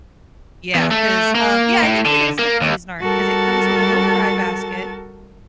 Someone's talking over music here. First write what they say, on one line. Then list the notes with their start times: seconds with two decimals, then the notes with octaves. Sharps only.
Yeah, 'cause, um, yeah, I think it is the Cuisinart 'cause it comes with a little fry basket
0.75 E2
0.91 A3
1.35 A#3
1.82 A2
2.05 D3
2.39 A#3
2.61 D#2
3.01 G3 F#4 A4 A#4 A5 A6